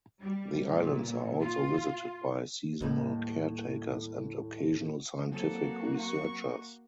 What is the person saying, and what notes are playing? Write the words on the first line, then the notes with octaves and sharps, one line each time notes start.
The islands are also visited by seasonal caretakers and occasional scientific researchers.
G3
A#2
F4
D#2 A2 G3 A#3
F#3 A#3 C4 F#4 A4
C#6